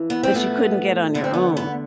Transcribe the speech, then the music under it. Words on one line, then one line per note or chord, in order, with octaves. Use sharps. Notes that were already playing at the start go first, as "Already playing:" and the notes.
that you couldn't get on your own.
Already playing: F2 E3
B3
C4
A2 F3 A3 B3
E2 D3 A3 B3
C4
B3
B3